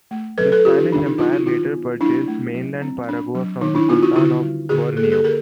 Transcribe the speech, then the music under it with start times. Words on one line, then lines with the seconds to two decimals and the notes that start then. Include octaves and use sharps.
The Spanish Empire later purchased mainland Paragua from the Sultan of Borneo.
0.11 A3
0.38 F#3 A4 B4
0.52 A4 B4
0.65 C#4 F4 G4
0.78 D#4
0.92 D#3 D4
1.06 D#4
1.19 F#3 D#4 F4
1.33 E4 F#4
1.46 D#3 D#4 F4
1.73 B3
2.00 F#3 D4 E4
2.28 A3
2.54 F#3
2.82 C4
3.09 D4
3.35 F#3
3.61 D#3 D#4
3.75 D4 E4
3.89 B3 D#4 F4
4.03 E4 F#4
4.16 D3 E4 F#4
4.43 G3
4.69 D3 F#4 G#4
4.97 A#3 A4
5.03 G#4
5.12 G4 A4
5.24 D3 G#4 A#4